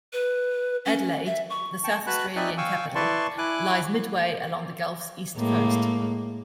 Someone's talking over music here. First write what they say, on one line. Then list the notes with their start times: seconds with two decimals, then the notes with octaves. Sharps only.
Adelaide, the South Australian capital, lies midway along the gulf's east coast.
0.13 B4
0.86 C#4
1.26 E5
1.50 C#6
1.84 G5 A5 C#6
2.07 F#4 B4 A5 B5 F#6
2.36 C4 D#4 D5 E5 G#5 F#6
2.58 F5 G5 G#5 C#6 E6
2.95 E4 B4 D5 A5 C6 C#6
3.38 E4 G#5 D6 F#6
5.37 A2 G#3 A#3